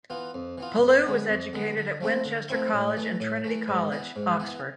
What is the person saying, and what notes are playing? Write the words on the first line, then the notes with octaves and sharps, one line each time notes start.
Pellew was educated at Winchester College and Trinity College, Oxford.
E3 B3 F4
F2
E3 B3 F4
F2
D3 G#3 B3
F2
D3 G#3 B3
D3
F3 A3 C4 E4
D3
F3 A3 C4 E4
A2
E3 A3
A2
E3 A3
G#2
E3 B3 E4
G#2
E3 B3 E4